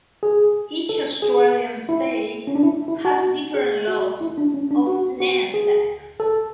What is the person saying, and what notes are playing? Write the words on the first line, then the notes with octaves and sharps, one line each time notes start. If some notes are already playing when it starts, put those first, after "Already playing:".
Each Australian state has different laws of land tax.
G#4
A4
G#4
E4
C#4
D4
E4
E4
F#4
G#4
F#4
E4
D4
C#4
D4
F#4
F#4
G#4
A4